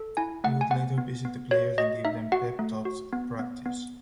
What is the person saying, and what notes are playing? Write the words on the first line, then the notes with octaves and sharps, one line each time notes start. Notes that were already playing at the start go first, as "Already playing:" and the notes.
He would later visit the players and give them "pep" talks at practice.
Already playing: A4
E4 G#5
A3 F#5
G#5
B3 F#5
B3
B3
F#4 C#5
F#4 D#5
D#4 E5
F#4 F#5
A3
F#4
B3
B3
B3